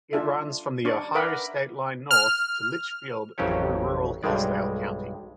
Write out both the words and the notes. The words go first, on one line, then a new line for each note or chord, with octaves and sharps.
It runs from the Ohio state line north to Litchfield through rural Hillsdale County.
D4 F4 A4 E5
D4 D5 C#6
A#4 B4 E5 F#5 B5 D6
F6
A1 F2 F#3 C#4 G4 C#5
B1 G2 G3 G#3 D5